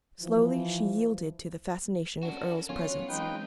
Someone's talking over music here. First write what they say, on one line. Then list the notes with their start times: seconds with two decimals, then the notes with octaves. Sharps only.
Slowly she yielded to the fascination of Earle's presence.
0.20 E3 F3
2.23 C#4 D4 F#4 A4 A#4
2.69 F#3 B3 C#4 F4 F#5
3.09 E3 G#3 C4 D#4 B4 G5